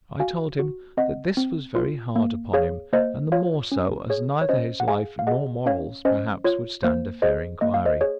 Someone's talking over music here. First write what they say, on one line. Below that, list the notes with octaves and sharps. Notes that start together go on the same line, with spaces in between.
I told him, that this was very hard upon him; and the more so, as neither his life nor morals perhaps would stand a fair inquiry.
F#4 F5 G#5
F#4
C4 D#5 F#5
C4
F4
A#3
G#4 C#5 F5
A#3 C5 D#5
F4 C#5 F5
C#4
G#4 C#5
C#5
C#4 C5 D#5
F#5
G#4 F5 G#5
F5
G#4 D#5 F#5
C#4 C#5 F5
C#4 C5 D#5
F4 C#5
A#3 C5
G#4 C5 D#5
A#3 D#5
F5
C5 D#5
G#4 C#5